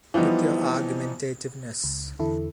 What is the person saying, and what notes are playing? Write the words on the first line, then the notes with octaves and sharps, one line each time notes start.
With your argumentativeness.
E3 F3 G3 B3 D#4
C#2
E2 D3 E4 A4